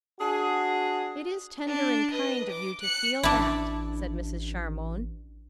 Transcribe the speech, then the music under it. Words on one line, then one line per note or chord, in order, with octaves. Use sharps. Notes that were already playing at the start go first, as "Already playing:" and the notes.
"It is tender and kind of you to feel that," said Mrs. Charmond.
D4 F#4 G#4
D4
B4 D#5
D6
F#6 C#7
A1 D4 E4